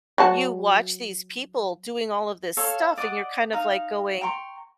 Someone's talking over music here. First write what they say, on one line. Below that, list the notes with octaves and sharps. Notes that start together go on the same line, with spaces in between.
you watch these people doing all of this stuff, and you're kind of, like, going,
F#3 F#4 A5
A4 C#5 F5
D5 D#5 F#5 D6
D#4 F5
G5 A#5 C6 C#6